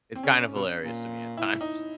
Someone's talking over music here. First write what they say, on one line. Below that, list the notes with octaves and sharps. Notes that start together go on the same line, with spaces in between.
It's kind of hilarious to me at times.
C4
C#3 C#4
B2
A#2
E4
D#4